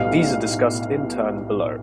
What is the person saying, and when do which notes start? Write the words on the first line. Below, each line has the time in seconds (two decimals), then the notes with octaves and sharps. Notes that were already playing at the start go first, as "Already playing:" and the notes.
These are discussed in turn below.
Already playing: B1 A2 G3 B3 F5